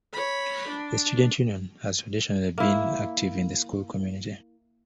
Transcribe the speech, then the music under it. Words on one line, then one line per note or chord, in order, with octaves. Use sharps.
The Student Union has traditionally been active in the school community.
C#5 B5
D4
A#3 E4